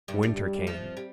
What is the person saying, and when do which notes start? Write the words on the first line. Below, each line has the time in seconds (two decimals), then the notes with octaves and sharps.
Winter came!
0.08 G2 G3
0.23 G2 G3
0.67 F2 F3
0.97 G3